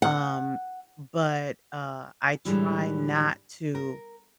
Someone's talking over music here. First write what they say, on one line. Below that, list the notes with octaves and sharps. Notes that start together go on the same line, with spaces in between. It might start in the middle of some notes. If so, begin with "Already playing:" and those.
um, but, uh, I try not to
F#5
A2 D3 E3 G3 G#3 E4
A#4